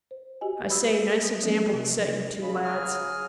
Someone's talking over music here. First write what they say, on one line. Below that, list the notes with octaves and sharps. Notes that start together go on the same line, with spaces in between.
I say, nice example to set you two lads.
C5
F#4 G4 D#5 G#5
B5 D#6 E6
D#6
F3 F#3 A#3 C#4
C3
C#3 B5
G#4 F6